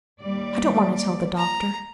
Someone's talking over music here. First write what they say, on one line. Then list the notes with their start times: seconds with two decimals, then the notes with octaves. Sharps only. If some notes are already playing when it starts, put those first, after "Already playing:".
I don't want to tell the Doctor.
0.20 D#2 G3 D5
1.37 A#5